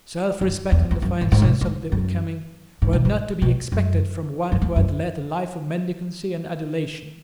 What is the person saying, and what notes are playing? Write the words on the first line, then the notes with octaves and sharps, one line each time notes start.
Selfrespect and a fine sense of the becoming were not to be expected from one who had led a life of mendicancy and adulation.
F#2
E2
E2
F#2
G#2
G#2
B2
G#2
F#2
G#2
B2
G#2
B2
F#2
F#2
E2
F#2